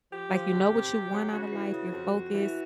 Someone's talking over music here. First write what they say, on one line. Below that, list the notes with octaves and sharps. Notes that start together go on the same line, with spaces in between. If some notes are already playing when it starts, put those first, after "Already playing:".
Like, you know what you want outta life, you're focused,
F3 G4
F3
D3
C3
C3
F#3
C#3 F#4
E3
C#3
F2
F2
E3